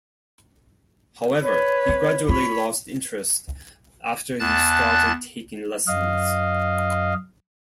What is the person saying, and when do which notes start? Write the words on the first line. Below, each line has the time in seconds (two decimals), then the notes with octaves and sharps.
However, he gradually lost interest after he started taking lessons.
1.43 B4 C#5
1.89 C4
2.29 F4 C#5 B5
4.40 E2 A5 F#6 A6
5.87 F#2 D#5 F5